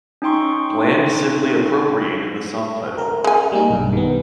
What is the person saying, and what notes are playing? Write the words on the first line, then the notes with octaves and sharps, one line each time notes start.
Bland simply appropriated the song title.
C#4 D#4 G5 C6 C#6
A#4
G#3 G#5
G3 A#3 D#4
B1 G2
D#3 B3